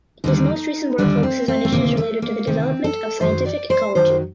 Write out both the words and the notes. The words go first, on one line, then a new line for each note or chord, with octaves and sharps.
His most recent work focuses on issues related to the development of scientific ecology.
D#2 D3 G3 D#4
D#2 D3 G3 D4
C4
C4
A3
D2 C3 D#3 A#3
A3
A#3
D2 C3 D#3 C4
A4
F#2 D#3 F#3 C5
D5
C5
F#2 D#3 F#3 C5